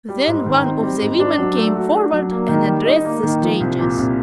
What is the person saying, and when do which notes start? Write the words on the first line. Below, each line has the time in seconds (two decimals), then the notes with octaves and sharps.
Then one of the women came forward and addressed the strangers.
0.09 G3
0.27 G#2
0.46 D#3
0.64 C4
0.82 G3
1.01 G#2
1.20 D4
1.37 F#3
1.57 A3
1.75 F#4
1.94 D4
2.12 F#3
2.31 A#3
2.49 D#3
2.67 G3
2.86 D#4
3.05 A#3
3.23 D#3
3.42 F3
3.60 C2
3.79 A#2
3.97 C2